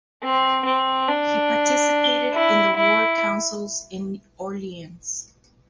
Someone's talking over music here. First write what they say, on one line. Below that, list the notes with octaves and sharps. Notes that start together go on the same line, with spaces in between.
He participated in the war councils in Orleans.
C4
C4
D4
E4
E4